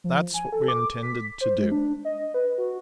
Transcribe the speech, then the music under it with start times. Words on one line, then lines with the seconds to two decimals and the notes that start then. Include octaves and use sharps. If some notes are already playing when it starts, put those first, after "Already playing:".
That's what we intended to do.
0.04 F3
0.34 G#5
0.52 A4
0.68 D6
1.03 B6
1.41 C5
1.58 G#3
1.72 D4
2.05 D#5
2.34 B4
2.58 F#4